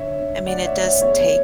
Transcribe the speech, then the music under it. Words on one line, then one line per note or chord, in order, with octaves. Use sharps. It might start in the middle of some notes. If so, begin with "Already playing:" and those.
I mean, it does take
Already playing: D3 C#5 E5
D3
A3 D5 F#5
C#5 E5
A3
C#5
E2 C#5
C#5